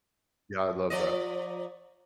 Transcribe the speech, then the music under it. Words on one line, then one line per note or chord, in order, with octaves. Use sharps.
Yeah, I love that.
F3 D5 D#5